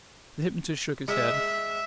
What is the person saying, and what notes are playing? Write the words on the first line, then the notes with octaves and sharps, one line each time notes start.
The hypnotist shook his head.
G#3 E5